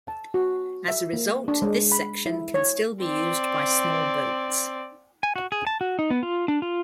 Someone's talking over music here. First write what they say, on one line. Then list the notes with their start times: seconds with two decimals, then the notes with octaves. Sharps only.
As a result, this section can still be used by small boats.
0.08 A5
0.34 F#4
0.88 E5
1.13 A#3
1.48 D4
1.62 G#3
1.92 B5
2.26 E4
2.54 C#5
3.03 C4 D5
5.23 G#5
5.36 F#4
5.52 G#4
5.67 A5
5.81 F#4
5.99 D#4
6.10 B3
6.23 F4
6.48 D4
6.62 F4